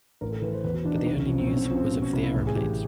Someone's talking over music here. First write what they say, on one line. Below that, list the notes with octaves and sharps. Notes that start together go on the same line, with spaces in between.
But the only news was of the aeroplanes.
A1 A#4
A4
E3 B4
C5
E2 B4
F#4
E3 D4
D#4
C2 D4
C#4
F3 C#4
C4
B1 C#4
C4
C#4
F3 C4
B2 C#4
C#4
C2
E4
A1
G#4
E3 G4